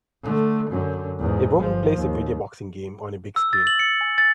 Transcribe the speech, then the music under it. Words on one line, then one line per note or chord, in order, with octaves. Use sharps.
A woman plays a video boxing game on a big screen.
D3 A3
F#2 D3
E2 G#2
G1 F3
D#2
E6
A6
F#7
C#7
G#5
A6